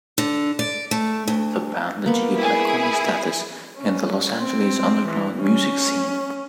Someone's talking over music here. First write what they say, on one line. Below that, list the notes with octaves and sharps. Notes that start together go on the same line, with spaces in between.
The band achieved iconic status in the Los Angeles underground music scene.
D3
D5
A3
D2
A#3 B3
E4 G#4
C#4
C4
E3
C#4